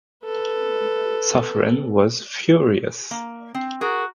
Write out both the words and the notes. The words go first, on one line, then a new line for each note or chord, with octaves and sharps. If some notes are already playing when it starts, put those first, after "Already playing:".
Suffren was furious.
A4 B4
A#3
C4
F#4 G#4 A#4